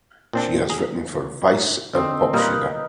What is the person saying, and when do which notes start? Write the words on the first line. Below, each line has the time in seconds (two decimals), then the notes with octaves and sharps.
She has written for "Vice" and "Popsugar".
0.33 A#2 C4 D4
0.70 G#4 A#5
1.95 D3 C4 D#4
2.33 A#2 G3 A#3 D#4 A#4 B4